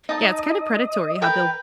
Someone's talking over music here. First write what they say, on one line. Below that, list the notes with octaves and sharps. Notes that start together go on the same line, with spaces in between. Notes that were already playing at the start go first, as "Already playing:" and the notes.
Yeah, it's kinda predatory how they'll
D#4 D#5 A5
A#4 B4 G5